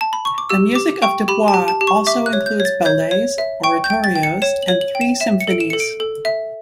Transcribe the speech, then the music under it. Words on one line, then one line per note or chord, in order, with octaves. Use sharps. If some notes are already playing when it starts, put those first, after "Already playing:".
The music of Dubois also includes ballets, oratorios and three symphonies.
A5
B5
C#6
D6
G4 E6
G4 D6
G5 C#6
G4 B5
A5
G4
A5
G4
C#6
E5 D6
F#6
C#5
G6
C#5
A6
C#5 G6
C#5
E5
G5 C#6
G6
G5
A6
G5
C#7
C#5 E7
F#7
C#5
F#7
G5
E7
E5 E7
C#7
A4 D7
E7
A4 C#7
D7
A4
E5